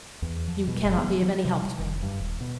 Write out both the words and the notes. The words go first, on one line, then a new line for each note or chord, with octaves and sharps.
"You cannot be of any help to me."
E2
F3
B2
F#1
B3
F#3
C3
G3
F1
G2
D#1
B2